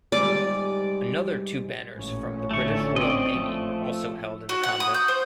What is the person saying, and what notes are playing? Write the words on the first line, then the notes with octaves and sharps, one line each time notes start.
Another two banners from the British Royal Navy are also held in the convent.
G#2 C3 G3 D5
A1 A#2 C#4
D3 A3 C#6
C4 D5 D#5
F3 A3
F#4
F#5
D#6
G6
C5